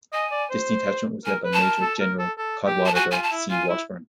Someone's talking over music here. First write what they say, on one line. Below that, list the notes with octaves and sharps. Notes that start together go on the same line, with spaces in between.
This detachment was led by Major General Cadwallader C. Washburn.
D#5 G#5
D5
C5
A#4 G#5
B4
A5
A#4
A4
A#4
A4
A4
G4
A5
F#4 G#5
F4 G#5
A5
E4
F4 G#5
E4